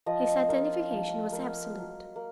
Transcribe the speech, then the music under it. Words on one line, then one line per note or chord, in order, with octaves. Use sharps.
His identification was absolute.
F3 D#5
A#3 F4
F3
A#3 F4
F#3
A#3